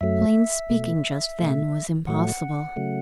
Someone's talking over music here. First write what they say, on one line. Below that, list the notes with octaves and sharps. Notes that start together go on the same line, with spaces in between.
Plain speaking just then was impossible.
F#2 F#3 A3 E5
B2 A3
B2 A3
A2 F#3 A3 F#5
C#3 F#3 A3